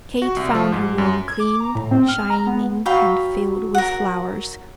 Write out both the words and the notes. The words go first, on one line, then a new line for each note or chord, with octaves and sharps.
Kate found her room cleaned, shining, and filled with flowers.
F#4
C2
F3
G#2
F#2
G#6
D6
A#5
A2
C4
F6
A#5
B3
F#3 F5 G5 B5
A#4 F#5